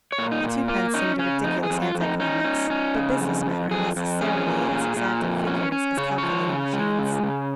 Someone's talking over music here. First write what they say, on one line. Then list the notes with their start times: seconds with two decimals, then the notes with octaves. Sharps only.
The twopence seemed a ridiculous anti-climax; but business-men are necessarily as exact in figures as calculating-machines.
0.12 C#5
0.18 A#2
0.32 D#4
0.44 A#2
0.68 A#3 F4
0.94 C#4 D#4
1.18 C#3 C#4
1.44 F2 D#4
1.63 G#4
1.70 F2
1.82 F4
1.95 F2
2.01 D#4
2.20 C#4 D#4
2.44 C#4
2.70 C#4
2.95 C#3
3.20 F2
3.46 F2
3.71 F2 G#4
3.96 F2
4.21 C#4 G#4
4.46 A#2
4.72 A#2
4.97 A#2
5.22 F2
5.47 C#4
5.72 C#4
5.97 C#3 C#5
6.18 F3 C#5
6.48 C#3
6.73 G#3
6.99 C#3
7.23 C#3